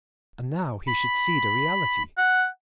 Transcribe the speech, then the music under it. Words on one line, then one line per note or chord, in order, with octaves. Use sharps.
And now he should see the reality.
B5
F#5